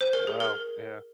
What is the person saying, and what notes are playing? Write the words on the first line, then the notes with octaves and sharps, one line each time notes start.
Well, yeah,
C5
A#4
G#4
A#4